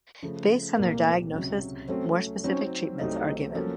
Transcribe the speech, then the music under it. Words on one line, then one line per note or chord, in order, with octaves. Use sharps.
Based on their diagnosis, more specific treatments are given.
C#3 F3 A3
C2 A#2 A3 A#3
C#2 C3 F#3
F#3 A3 C4 C#4
F#3 C4 C#4 D#4
C2 C3 F#3 A3 C4 D#4
F3 A#3 C#4 F#4 A4